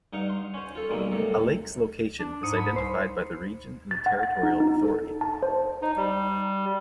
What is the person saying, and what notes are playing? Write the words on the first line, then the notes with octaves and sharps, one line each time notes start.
A lake's location is identified by the region and the territorial authority.
G2 D#4 F5 F#5
C6
C#4 C5
F4 A4
B1 G3 G#3 A#3
A2 C3 A4
D4
G#2 D#6 C#7
B5
C2 C5
A6
F#5
A6
D#4
D#4
A4
A5
C5
D#4
G3